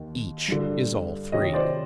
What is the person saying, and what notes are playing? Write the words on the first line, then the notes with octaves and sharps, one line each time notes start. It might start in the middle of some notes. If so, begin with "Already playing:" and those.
Each is all three.
Already playing: D#2 D#3
G2 D3
D2 C3 D#3 C#5 D#5
C5 D5